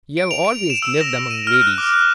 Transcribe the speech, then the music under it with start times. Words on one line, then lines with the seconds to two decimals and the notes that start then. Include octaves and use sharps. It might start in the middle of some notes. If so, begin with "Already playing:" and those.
You have always lived among ladies.
0.17 D7
0.31 F7
0.45 D7
0.70 E7
0.82 E6
1.01 A#6
1.31 D#7
1.47 F6
1.61 F#6
1.78 D6
1.93 F#6